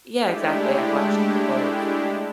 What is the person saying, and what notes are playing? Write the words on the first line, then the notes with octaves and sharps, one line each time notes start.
Yeah, exactly, I watched a couple of
G#3 A3 D4 E4 G4